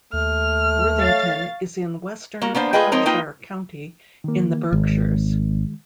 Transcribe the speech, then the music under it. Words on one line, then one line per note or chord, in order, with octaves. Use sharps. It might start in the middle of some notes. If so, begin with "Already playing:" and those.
Worthington is in western Hampshire County, in the Berkshires.
D#2 A3 F6
C#5 F5 A6
A#3 F#4 A#4
A#3 B3 D4 C5
A3 F4 G#4 B4 D#5 G5
F3 G#3 C4 D#4 A#4 C#5
A#3 D#4 F4 B4 G5
D#3 A#3
G#1 D#3 G#3